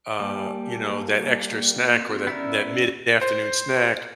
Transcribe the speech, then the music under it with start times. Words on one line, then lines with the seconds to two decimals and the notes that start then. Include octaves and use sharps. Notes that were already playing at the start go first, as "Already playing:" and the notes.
uh, you know, that extra snack or that that mid-afternoon snack,
0.20 G3 A#3 G#5 A5
2.00 C4 F#4
2.27 B3 C#4 E4 A#4 D5 E6
3.21 C5